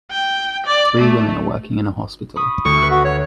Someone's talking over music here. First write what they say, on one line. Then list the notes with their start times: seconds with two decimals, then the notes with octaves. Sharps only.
Three women are working in a hospital.
0.11 G5
0.67 D5
1.00 A3
2.36 B5 C#6 D#6
2.65 D2 C#6
2.78 B4 E6
2.91 F#4
3.05 C#5